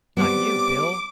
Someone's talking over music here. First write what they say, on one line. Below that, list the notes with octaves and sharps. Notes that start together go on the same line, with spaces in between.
Not you, Bill!
G3 B3 C4 D6